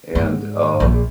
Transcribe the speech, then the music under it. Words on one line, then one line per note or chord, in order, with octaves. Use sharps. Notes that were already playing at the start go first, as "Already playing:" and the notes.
and, uh,
G#2
A#1